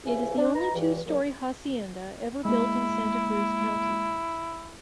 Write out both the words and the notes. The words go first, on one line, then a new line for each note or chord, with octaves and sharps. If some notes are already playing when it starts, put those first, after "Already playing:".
It is the only two story hacienda ever built in Santa Cruz County.
C2 C#3 E3 F3 E5 G#5
D4
D#4 B4 A#5
C#2 G2 E3
A#2 C#3 F#3
G#3 A#3 E4